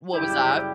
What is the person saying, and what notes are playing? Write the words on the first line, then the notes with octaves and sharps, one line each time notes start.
What was that?
F#2 C#3 G3 E4 G4